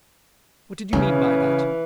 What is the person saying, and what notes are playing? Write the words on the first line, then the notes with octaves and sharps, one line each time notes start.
What did you mean by that?
C#3 E3 C#4